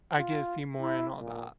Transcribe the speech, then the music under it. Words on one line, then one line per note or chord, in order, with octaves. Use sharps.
I get see more and all that."
F4
E4
A#2